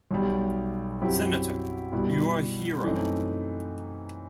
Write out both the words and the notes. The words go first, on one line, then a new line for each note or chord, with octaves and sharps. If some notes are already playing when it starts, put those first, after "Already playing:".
Senator, you're a hero.
B1 B2 G3
F#2 F#3 C4 E4 G4
B2 G3 B3 E4
F#2 E3 A3 C4 D#4